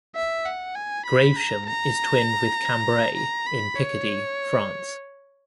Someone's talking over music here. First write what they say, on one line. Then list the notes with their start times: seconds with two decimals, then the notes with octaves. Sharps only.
Gravesham is twinned with Cambrai in Picardy, France.
0.16 E5
0.46 F#5
0.75 G#5
1.06 B5
1.36 A#5
1.67 A#5
3.16 A#5
3.47 B5
3.76 C#5